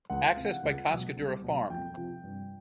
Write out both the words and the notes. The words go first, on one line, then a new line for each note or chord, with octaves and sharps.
Access by Cascadura Farm.
C#2 F#5
F5
C3 E3
F#5
C#2
B2 F#3
C2
B2 F#3
F2 G5
C3 F3
G2